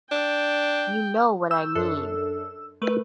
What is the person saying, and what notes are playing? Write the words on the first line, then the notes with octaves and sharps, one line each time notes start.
You know what I mean.
D4 G5
E6 G6
F#2 D4 A4
A3 A#4 B4